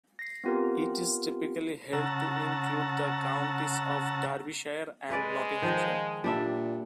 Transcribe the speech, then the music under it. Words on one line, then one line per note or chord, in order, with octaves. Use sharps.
It is typically held to include the counties of Derbyshire and Nottinghamshire.
A#6 C7
B3 C4 F4 G4 A#4
C#3 F#5 A5 A#5 E6
G#3 C#4 B4 D5
D#3 F3
A#2 G3 D4 E5